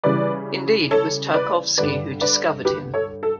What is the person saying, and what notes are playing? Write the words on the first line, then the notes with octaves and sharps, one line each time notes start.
Indeed, it was Tarkovsky who "discovered" him.
C#3 E3 G3 B4 D5
A4 C#5
B4 D5
G2 D3 G3 B4 D5
B4 D5
G4 B4
A4 C#5
A4